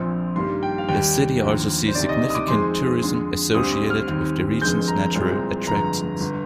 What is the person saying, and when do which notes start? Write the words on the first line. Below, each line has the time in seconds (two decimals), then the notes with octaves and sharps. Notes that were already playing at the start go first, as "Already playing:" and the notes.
The city also sees significant tourism associated with the region's natural attractions.
Already playing: A#1 A#2 F3 C4
0.35 G2 D#3 G3 A#3 C6
0.63 G5
0.78 F5
0.88 D#2 D#3 G3 G5
1.41 D#2 D3 F3 A#3
1.88 C5
1.95 D2 C3 D#3 D5
2.09 D#5
2.30 D#6
2.35 D6
2.48 F2 D#3 G#3 C4 C6
3.02 F2 D3 G#3
3.55 D2 D3 G3 C4 D#6
3.72 D#6
3.90 F6
4.08 D#2 D#3 G3 C4
4.61 F1 F2 D3 G#3 C4 G6
4.88 A#5
5.14 C2 A#2 G#3 C4
5.67 G1 F2 D3 G#3 A#5
6.20 G1 D3